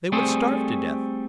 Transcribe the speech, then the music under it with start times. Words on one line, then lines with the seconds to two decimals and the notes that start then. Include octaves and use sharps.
They would starve to death.
0.12 G3 A3 C4 G#4 A4 C5